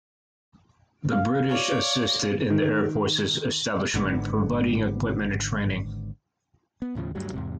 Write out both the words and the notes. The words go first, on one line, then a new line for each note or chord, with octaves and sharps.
The British assisted in the Air Force's establishment, providing equipment and training.
F5 F6
C#5 D5
D#3
G#1 G#2 D3 B3
B3
D#2 A2 C#3 F3
D2 G2 F#3 G3
E2 G#2 C3